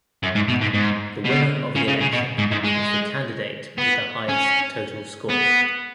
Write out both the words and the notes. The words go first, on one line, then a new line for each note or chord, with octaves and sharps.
The winner of the election is the candidate with the highest total score.
F#2
G#2
B2
G#2
G#2
B2
C#3
C#3
C#3
B2
G#2
G#2
G#3
B3
C#4
B3